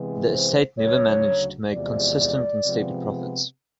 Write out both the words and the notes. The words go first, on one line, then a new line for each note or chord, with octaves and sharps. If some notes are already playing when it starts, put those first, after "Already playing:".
The estate never managed to make consistent and steady profits.
Already playing: C3 E3 G#3 B3
C5
D2 C#3 F#3 C#5
E2 C3 F3 G#3 D5
C3 F3 G#3 B3